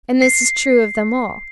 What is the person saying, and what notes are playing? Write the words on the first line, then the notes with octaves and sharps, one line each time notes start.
And this is true of them all.
C7